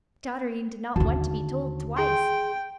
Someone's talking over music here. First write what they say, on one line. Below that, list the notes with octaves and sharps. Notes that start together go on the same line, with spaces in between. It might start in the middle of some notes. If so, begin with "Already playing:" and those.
Dotterine did not want to be told twice!
D#2 D3 F#4 A5
G#4 G5 C6